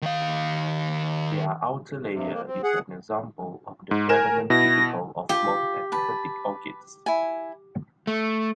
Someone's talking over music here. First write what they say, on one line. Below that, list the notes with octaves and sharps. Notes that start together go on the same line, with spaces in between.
Their outer layer is an example of the velamen typical of most epiphytic orchids.
D#3 F5
G2 C3
A#3
C4
G#4 F#5
G#2
A#4 G#5 E7
B2 E4 A#6
F4 G4
B4 A5
E4 G#5
A3